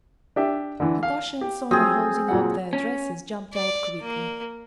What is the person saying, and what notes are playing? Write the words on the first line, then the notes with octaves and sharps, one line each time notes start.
Natasha and Sonya, holding up their dresses, jumped out quickly.
D4 G4 E5
D3 E3
F5
G4
F3 F#3 C4 G#4 D#6
A#2 F#3 F#5
C#4
D5
A#3